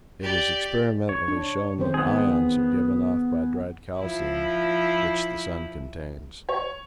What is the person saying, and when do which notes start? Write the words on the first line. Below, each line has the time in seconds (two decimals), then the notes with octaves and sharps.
It is experimentally shown that ions are given off by dried calcium, which the sun contains.
0.22 G4 D5
1.09 C#5
1.28 D4
1.78 D#3 C4 C5
1.94 B3 G#4
3.99 F3 E4
6.49 C#5